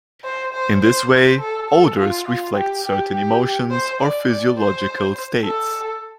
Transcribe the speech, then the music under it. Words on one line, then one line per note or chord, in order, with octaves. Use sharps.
In this way odors reflect certain emotions or physiological states.
C5
C5
C5
C5
A4
A4
F4
F4
G4
G4
G4
C5
D5
D5
C5
A4